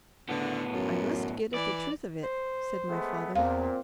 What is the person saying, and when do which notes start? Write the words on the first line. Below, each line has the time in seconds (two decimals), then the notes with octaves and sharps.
"I must get at the truth of it," said my father.
0.29 A2 D3 B3
0.73 F#2
1.54 E3 D5
2.23 C5
2.89 G#3 A3 B3
3.36 E2 A#2 C4 F5